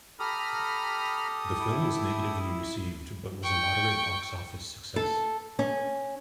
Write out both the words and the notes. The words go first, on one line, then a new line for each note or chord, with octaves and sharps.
The film was negatively received but was a moderate box office success.
G4 A4 A#5 B5 D#6 F6
E4
G5 C#6
A4
C#4